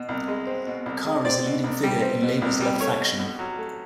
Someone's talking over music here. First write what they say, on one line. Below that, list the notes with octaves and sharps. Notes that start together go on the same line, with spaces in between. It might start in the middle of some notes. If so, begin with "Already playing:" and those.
Carr is a leading figure in Labor's left faction.
Already playing: B2
C2
G#3
C4
B2
C2
G#3
C4 D5
B2
C2
G3
C4
B2
C2
G3
A3 C#5
B2
B1
F#3
A3